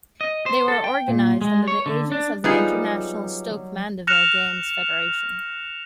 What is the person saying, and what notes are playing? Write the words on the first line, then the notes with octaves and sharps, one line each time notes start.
They were organised under the aegis of the International Stoke Mandeville Games Federation.
D#5
C5
A4
G5
A#2
G#3
C#5
D3
D4
F#3 G3 B3 D#4 F4 G#4
F6 F#6 A#6 C#7 E7 F7